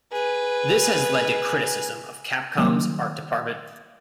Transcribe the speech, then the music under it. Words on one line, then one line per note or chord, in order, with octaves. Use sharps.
This has led to criticism of Capcom's art department.
G#4 B4
D#3 F#3 G3 A#3